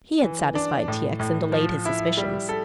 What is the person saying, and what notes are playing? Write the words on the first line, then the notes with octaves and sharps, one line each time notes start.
He had satisfied T. X. and allayed his suspicions.
E3
D4
A2
A2
F3
E4
G3
A4